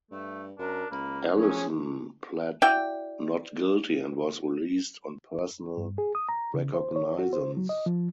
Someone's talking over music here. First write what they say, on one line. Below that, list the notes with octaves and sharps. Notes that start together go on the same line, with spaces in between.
Ellison pled not guilty and was released on personal recognizance.
G2 A3
F#2 D4 A#4
C#2 A#3 B5
B1 F3 F#3 C#4 G#4
E4 F#4 D5 G5
G2
G#4
D#6
A#5
C#3
C5
C#5
F#4
C5
F#3
D#5
F3